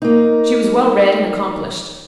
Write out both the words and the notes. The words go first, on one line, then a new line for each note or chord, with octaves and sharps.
She was well read and accomplished.
A#3 D#4